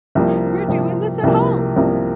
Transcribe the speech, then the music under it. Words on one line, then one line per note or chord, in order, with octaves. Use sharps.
he was like "We're doing this at home."
C2 C3 F3 A#3
C2 C3 F3 A#3
C2 C3 F3 A#3
C2 C3 F3 A#3